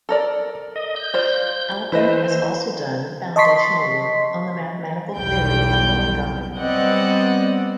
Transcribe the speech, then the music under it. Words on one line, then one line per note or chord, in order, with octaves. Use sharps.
Alperin has also done foundational work on the mathematical theory of origami.
A4 A#4 D5
D#5
G6
F4 C5 D5
E3 E4 B4 C5 D#5
D#5 A5 C6 C#6 B6 C7
B1 E2 G3 G5 G6
G3 B3 C4 D5 D#5 F#5